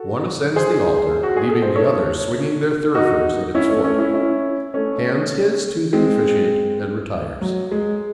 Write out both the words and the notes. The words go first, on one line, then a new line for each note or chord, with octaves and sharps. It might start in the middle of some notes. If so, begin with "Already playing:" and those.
One ascends the altar, leaving the others swinging their thurifers at its foot--hands his to the officiant and retires.
Already playing: F#4 A4
G#4 C5
F#4
G#4
A4
C5
A4 C#5
D#4 F#4
C#4 E4
A3 C#4
A3 C#4
C#4 E4
C#4 E4
A3 C#4
G#3 C4
F#3
G#3